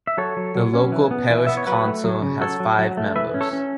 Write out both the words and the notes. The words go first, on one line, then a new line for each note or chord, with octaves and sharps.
The local Parish Council has five members.
E5
F#3 A4 C#5
F#3
F#3
C#4
E3
B3
E3
B3 E5
C#5
F#3 F#4 B4
A3
F#3
C#3
F#3 A4 C#5
F#3
F#3
A3
E3 B4 E5
C#4
A4 C#5
C#4